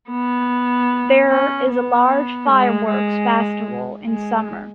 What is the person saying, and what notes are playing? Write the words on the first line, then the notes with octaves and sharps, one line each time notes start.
There is a large fireworks festival in summer.
B3
C#4
B3
G#3
G#3
G#3